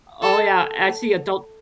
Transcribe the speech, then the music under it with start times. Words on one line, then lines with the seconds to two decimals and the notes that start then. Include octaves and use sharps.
o oh, yeah. I see adult
0.22 A4